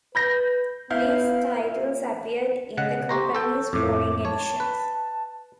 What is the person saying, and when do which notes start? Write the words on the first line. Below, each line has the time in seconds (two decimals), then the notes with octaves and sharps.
These titles appeared in the company's foreign editions.
0.15 B4 B5 G6 A#6
0.90 B3 E4 F5 G6
1.57 A#2
2.77 C#3 D#5 F#5
3.09 G4 C5 A#5 C#6
3.35 A4 G5
3.73 F2 A2 D6
4.25 C#5 A5
4.60 B4